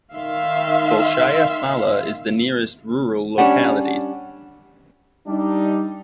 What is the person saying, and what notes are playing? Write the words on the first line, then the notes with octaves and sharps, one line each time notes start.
Bolshaya Sala is the nearest rural locality.
D#3 E5 F5 C6
G3 C#4 D4 F#5
G3 D4 D#4